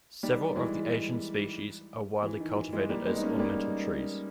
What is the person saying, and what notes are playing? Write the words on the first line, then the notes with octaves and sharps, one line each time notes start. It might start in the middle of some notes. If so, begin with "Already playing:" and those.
Several of the Asian species are widely cultivated as ornamental trees.
D#3 G3
E3 G#3
E3
D#3
E3
E3 G#3
G3 A#3
G#3 B3
D#4
A#3 C#4
G3 A#3